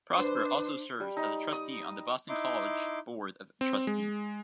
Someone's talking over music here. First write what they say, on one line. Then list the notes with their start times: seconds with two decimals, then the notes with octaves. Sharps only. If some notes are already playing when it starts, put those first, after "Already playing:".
Prosper also serves as a trustee on the Boston College Board of Trustees.
0.16 D4 B4 C5
1.00 G3
1.17 D#4
1.53 D#6
2.29 D#4 E4 C6 D6
3.61 C4
3.87 G#3